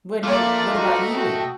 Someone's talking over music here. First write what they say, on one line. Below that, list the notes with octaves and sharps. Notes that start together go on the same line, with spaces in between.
What do you what about you?
F3 A3 A#3 D4 F4 D5
D#4 F#4
F#4 D#5 G5